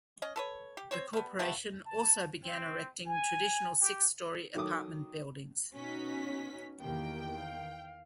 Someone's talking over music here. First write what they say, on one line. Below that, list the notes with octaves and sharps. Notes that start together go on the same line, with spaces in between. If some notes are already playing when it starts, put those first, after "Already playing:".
The corporation also began erecting traditional six-story apartment buildings.
C#4 D#5
A4 B4 C#5
G4
C4 C5 C#5
G3 B3
A3 B3 F4 G4
A5
C4
G#5
G4
D#3 F#3 A4 D6 D#6
B2 C#4 D#4 F#4 B6
E2 D#3 A#3 G4 G5
F5